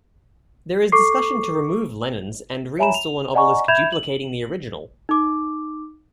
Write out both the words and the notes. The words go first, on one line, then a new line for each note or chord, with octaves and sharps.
There is discussion to remove Lenin's and reinstall an obelisk duplicating the original.
A4 C#6 D6 C7
C#5 E5 G#5 A#5 B5 E7
F7
D5 D#5 F#5 G#5 A#5 C#6
E5 B5 G6 G#6 E7 F7
F#7
D#4 D6